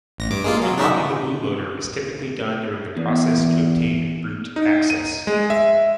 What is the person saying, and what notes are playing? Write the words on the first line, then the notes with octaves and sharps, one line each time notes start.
Unlocking the bootloader is typically done during the process to obtain "root" access.
A1 A#6
G2 D6
G#3 A#3 F4
F#3
D4 D#4 E5
E2
D#4
D#7
G#3
E5